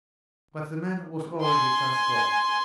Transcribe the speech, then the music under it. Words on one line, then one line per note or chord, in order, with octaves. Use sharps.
But the man was already transformed.
G#5 C6